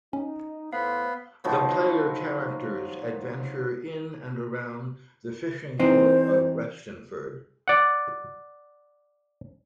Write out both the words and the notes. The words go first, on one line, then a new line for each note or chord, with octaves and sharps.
The player characters adventure in and around the fishing port of Restenford.
C#4 D#4
A2 B3 C5 F5
D#3 F3 F#3 B3
E3 C4 D#4 C5
D5 F#5